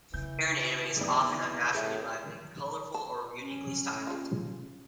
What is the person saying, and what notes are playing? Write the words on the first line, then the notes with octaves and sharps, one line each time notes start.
Hair in anime is often unnaturally lively and colorful or uniquely styled.
C#3 E3 G6
G#1 E2 G#4 D5
A2 G#4 E5 G6
A5
C#4
C#3 F4